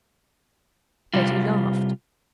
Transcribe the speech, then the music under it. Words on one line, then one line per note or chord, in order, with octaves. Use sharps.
Betty laughed.
C3 G3 F4